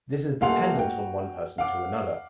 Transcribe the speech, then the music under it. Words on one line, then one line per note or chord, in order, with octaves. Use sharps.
This is dependent on one person to another.
D#1 A3 F5 F#5 C6 F7
F#4 G5
F5 F#5 D6